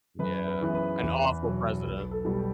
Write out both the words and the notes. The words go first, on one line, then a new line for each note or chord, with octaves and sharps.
Yeah, an awful president.
F#2 B4
B4
C#3 E3 B3
B4
E2
B2 F#3
B1 B4
A4
B2 G3
G4